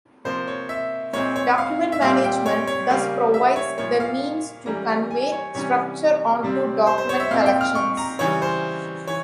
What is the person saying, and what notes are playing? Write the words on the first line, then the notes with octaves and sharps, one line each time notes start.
Document management thus provides the means to convey structure onto document collections.
C3 F3 A#3 C5
C#5
E5
A#2 G#3 C4 C#5
C#5
F5
E5
A#2 G3 C4 F5
G5
C#5
C#5
C#3 G3 A#3 C#4 F5
E5
C#5
A#2 F3 A#3 C#5
F5
E3 G3 A#3 C#4 A#5
A#5
G#5
C#5
C3 E3 G3 C#4 C#5
C3 G3 C4
C5
C5
C#5
E5
A#2 G#3 C4 F5
G5
F6
C#6
A#5
C#3 E3 G3 C#5
C5
E3 C#5